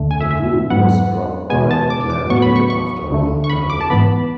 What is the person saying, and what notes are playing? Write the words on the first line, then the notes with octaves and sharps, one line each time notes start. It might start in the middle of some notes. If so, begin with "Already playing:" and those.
The group was dropped by Atlantic after one album.
Already playing: D2 D3 A3
G#5
E5
E5
G#2 F#3 B3 F#5
B2 G#3 B3 G#5
A5
D6
D6
A2 F#3 B3 C#6
B5
C#6
C#6
D2 D3 A3
C#6
B5
D6
A5
G#2 E3 B3 B5